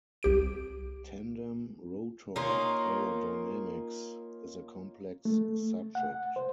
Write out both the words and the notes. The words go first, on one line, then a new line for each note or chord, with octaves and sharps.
Tandem rotor aerodynamics is a complex subject.
C2 G4 D7
A#3 C#4 D#4 F4
A3
F#5
C5